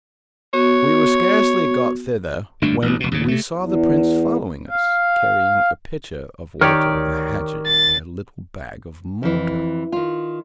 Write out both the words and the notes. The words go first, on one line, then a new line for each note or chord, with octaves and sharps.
We were scarcely got thither, when we saw the prince following us, carrying a pitcher of water, a hatchet, and a little bag of mortar.
B3 F#4 C#5
G1 F#2 A3 D4
A1 G2
F1 B2
D#2 G#2 C#3
C3 A3
E2
F5
D#3 G4 A#4 C#5 D5
D2
D#1 A6
F2 E3
D#3 F4